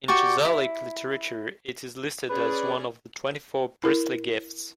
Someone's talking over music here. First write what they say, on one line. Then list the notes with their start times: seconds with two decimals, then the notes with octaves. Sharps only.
In Chazalic literature it is listed as one of the twenty-four priestly gifts.
0.08 F#4 G4 D5 C#6
0.45 E4
2.30 C#4 G#4 B4 D5
3.84 E4 A#4